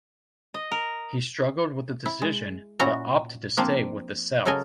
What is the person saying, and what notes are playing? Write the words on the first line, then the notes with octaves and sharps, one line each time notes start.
He struggled with the decision, but opted to stay with the South.
D#5
A#4
E4
G#3
A#2 C#4 E4 F#4 A#5
F3 A#3 C4 D4
C#3 F#3 A4 A#4 D#5 G#5